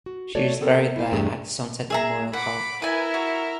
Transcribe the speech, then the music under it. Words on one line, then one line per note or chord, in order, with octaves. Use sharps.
She is buried there at Sunset Memorial Park.
F#4
A3 F#4 A4 C#5 D5
B3 C4 A4 A#4
E4 C5 F5
E2 G2 A3 D4 G4 G#4
G#4 E5 A#5
F#5 B5 D6
E4 A#4 B4 G#5
F#4